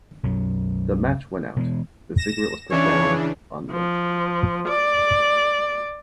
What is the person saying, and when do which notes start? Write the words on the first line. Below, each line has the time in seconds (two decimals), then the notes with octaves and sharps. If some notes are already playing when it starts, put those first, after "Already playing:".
The match went out, the cigarette was put down unlit.
0.23 B1 F#2 F#3
1.56 B2 E3 G3 G#3
2.17 A#6 E7
2.71 C#3 E3 D4 C#5
3.71 F3
4.68 D5